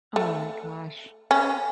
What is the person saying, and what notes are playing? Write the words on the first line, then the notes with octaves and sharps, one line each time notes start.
Oh my gosh.
A3
C#4